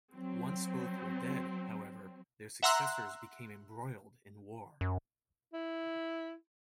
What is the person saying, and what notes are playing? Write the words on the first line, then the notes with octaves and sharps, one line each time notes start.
Once both were dead, however, their successors became embroiled in war.
F#3 C4
E5 F#5 A#5 C6 E6 F#6
F#2
E4